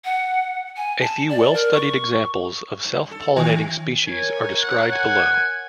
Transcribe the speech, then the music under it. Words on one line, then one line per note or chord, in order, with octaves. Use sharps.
A few well-studied examples of self-pollinating species are described below.
F#5
G#5
A5
D5
A#4
C#6
G2
A4
D#3
A#4 C#5 G#5
F#5
F#5 G#5